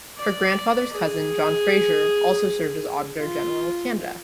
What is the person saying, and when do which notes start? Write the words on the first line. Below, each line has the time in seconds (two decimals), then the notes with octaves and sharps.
Her grandfather's cousin, John Fraser, also served as Auditor General of Canada.
0.18 D5
0.93 G#4
3.19 F4